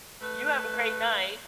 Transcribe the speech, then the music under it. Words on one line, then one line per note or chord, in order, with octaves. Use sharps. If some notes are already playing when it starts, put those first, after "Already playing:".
you have a great night.
A3 B4